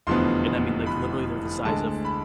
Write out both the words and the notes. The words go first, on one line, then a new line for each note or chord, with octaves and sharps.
and I mean, like, literally they're the size of
F1 E2 D3 F3 B3 C6
B5
D2 D3 G#3 A5
B5